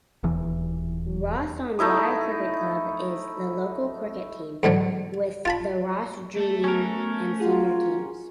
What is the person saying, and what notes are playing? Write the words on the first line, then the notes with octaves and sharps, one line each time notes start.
Ross-on-Wye Cricket Club is the local cricket team, with Ross junior and senior teams.
D#1 E2 E3
A3 D#4 E4 D#6
E2 G#2 D3 F#3
F4 A5 B5
A3 A5
B3 C#4 A#4 C#6
F4 G#4 F#5 C6